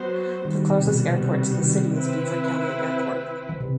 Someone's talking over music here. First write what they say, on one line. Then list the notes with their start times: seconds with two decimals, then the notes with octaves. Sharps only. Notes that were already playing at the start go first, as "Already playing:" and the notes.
The closest airport to the city is Beaver County Airport.
Already playing: F#3 B3 F#4 C5
0.45 D#3 G3 B3 F#4
0.59 D#3
0.70 C3
0.85 B2
0.96 C3
1.21 C3
1.53 C3
1.60 D#3
1.97 C4 E4 B4
3.49 E3
3.60 C3